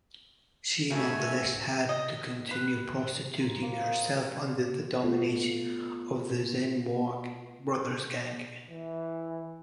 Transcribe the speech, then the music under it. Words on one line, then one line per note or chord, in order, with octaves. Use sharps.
She nonetheless had to continue prostituting herself under the domination of the Zenmour Brothers gang.
G#2 C#3 F3 A3 F#4 E5 G#5
D#5
B4
C5 A#5
A#3 F4
D#5
A3 B3 F4 A4
E3